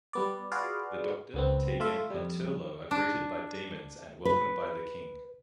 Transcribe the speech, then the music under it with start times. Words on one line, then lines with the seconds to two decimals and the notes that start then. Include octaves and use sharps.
The Doctor, Tegan, and Turlough are greeted as demons and welcomed by the King.
0.13 G3 B3 D5
0.52 F4 F#4 G#4 B4 D5 F5
1.34 C#2 B3 C4
1.80 A3 F4 E5
2.10 F2 G3
2.91 D4
4.25 B4